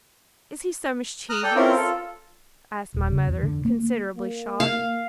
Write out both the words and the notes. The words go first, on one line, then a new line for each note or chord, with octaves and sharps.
'Is he so mischievous?' asked my mother, considerably shocked.
A#5 D#6 F6 F#6
A4 D5 G5
C4 C#4 E4 F4 A#4
F4 A4
D#1
C#3
E2
D3
A#3
A#3
F5